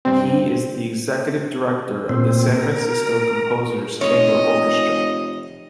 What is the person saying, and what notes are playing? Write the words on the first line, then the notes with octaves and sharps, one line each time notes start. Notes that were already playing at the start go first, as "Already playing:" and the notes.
He is the Executive Director of the San Francisco Composers Chamber Orchestra.
G2 C3 C4
A#2 C4
A#4
F1 C#5 D#5